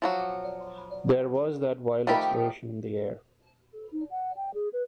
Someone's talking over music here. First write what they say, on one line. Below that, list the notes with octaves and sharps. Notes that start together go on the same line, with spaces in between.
There was that wild exhilaration in the air.
F3 F#3 F#4
D#3 F3 A3 G4 B5
D#4
F#5
G5
G#4
B4